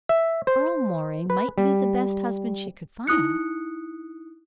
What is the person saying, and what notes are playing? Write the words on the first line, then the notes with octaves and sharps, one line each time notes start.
Earle Moray might be the best husband she could find.
E5
C5
B4
G3
D#4 E4 D#6 F#6 C#7